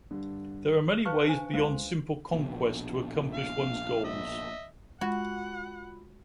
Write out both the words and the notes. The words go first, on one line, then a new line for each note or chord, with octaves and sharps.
There are many ways beyond simple conquest to accomplish one's goals.
G2 D3
B4 F5 A5 C#6 F#6 C#7
D4 C5 G#5
C#2 C5 F5 C6
A#1 B2
F5
D#5 E5
G#3 F4 F#4 F#5 B5